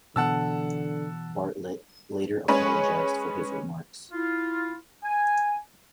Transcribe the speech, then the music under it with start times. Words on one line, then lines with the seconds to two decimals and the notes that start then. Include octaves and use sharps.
Bartlett later apologized for his remarks.
0.16 B2 D3 E3 B3 F#5 A5 E6
2.48 G#3 C#4 G#4 B4 C#5
4.12 E4 F4
5.04 G#5